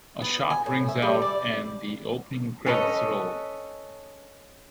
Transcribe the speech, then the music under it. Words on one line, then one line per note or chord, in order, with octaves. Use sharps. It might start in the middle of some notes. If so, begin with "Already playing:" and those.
A shot rings out and the opening credits roll.
B3
G#5
A2
E5
G3
D5
C#4 A4 B4 D#5